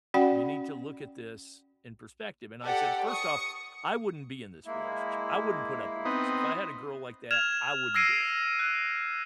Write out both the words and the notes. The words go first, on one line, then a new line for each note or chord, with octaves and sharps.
"You need to look at this in perspective," and I said, "First off, I wouldn't be in this relationship, I wouldn't put up with this, if I had a girl like that, I wouldn't do it,"
C#4 F#4 D5 F#5 G5 B5
G4 A4 D5 F#5
C#6 D#6 C#7
G#3 A#3 E4
B3 C4 D#4
F6 G#6 E7 F7
E6 G#6 A#6 C7 D7 D#7
F#6